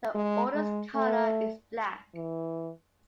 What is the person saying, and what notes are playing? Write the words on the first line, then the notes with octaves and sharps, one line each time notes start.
The Order's colour is black.
G#3
G#3
A3
E3